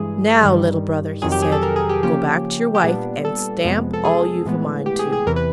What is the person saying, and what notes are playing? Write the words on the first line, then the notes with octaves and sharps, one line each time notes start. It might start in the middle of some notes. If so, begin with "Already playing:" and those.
'Now, little brother,' he said, 'go back to your wife and stamp all you've a mind to.'
Already playing: G2 E3 G#3 G#4
G2 D#3 G3
F2 C3 D#3 F#3 G#4
G4
G#4
A4
A#4
G#4
G4
C#3 F3 A#3 C#4 G4
G4
A#2 G3 B3 D4 G#4
A4
F2 C3 F3 G#3 B3
A4
G#4
A2 E3 G#3 B3
G4
G#4
G#4
E2 C3 E3 A#4
B4